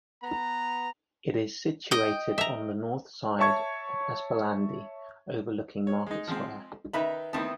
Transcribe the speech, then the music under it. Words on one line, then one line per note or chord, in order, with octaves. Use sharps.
It is situated on the north side of Esplanadi, overlooking Market Square.
B3 A#5
D#5 G5
E5 A#5
C#5 E5 A5 C#6 G#6
C#5
G#3 D#4
F3 G#3 C4
D#3 D#4 B4 E5 A#5 B5
D#3 B3 C4 D#4 E4 A5